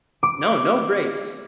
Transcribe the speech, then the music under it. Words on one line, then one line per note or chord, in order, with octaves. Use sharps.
No, no breaks.
D6